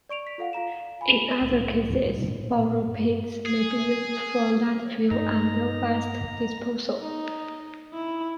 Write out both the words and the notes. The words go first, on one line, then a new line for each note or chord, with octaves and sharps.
In other cases, borrow pits may be used for landfill and waste disposal.
D5 C#6 D7 F7
B6
F4 A4 F5 F#5
F4 F5 A#5 E7
G#5 B5
C2 A2 C4
A#2
G2
G#4
G2 A3 D#4 A#5
D#4
E4